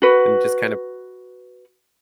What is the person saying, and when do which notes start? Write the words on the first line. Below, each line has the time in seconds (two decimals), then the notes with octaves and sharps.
And just kind of
0.02 F#4 B4